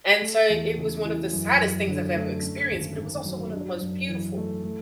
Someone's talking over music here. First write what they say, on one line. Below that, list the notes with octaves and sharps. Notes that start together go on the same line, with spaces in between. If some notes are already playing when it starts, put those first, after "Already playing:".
And so it was one of the saddest things I've ever experienced, but it was also one of the most beautiful,
A3
E2
C#3
E3
F#2
F#2
D3
A3
C#4
G#1
G#2
F#3
D4
F#2
E3
A3
A3